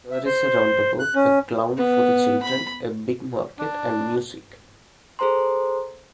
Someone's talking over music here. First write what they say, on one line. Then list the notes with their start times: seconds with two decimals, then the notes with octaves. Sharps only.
There is a roundabout, a clown for the children, a big market and music.
0.11 E5
0.26 C5
0.99 F#6
1.15 C#4
1.77 B3
2.42 B5
3.58 D4
5.19 G#4 A4 C5 A#5 C6